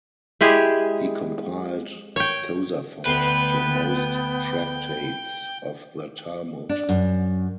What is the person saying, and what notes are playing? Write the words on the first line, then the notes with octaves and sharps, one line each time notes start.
He compiled tosafot to most tractates of the Talmud.
G#3 E4 G4 G#4
C#5 G5
D2 B3 B4 G5 C6
D4
F#2